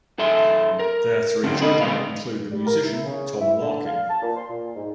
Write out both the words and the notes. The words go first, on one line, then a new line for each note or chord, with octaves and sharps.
Their three children include the musician Tom Larkin.
F#2 A4 E5 C6
A#4
D2 C4 C#4 F#4
D2 B2 D#5 B5
D#3 G#3 C4 D5 F5
G3
A#4
E4
C#3
E4
D3
F5
A5
A#2
C6
A#2
G#2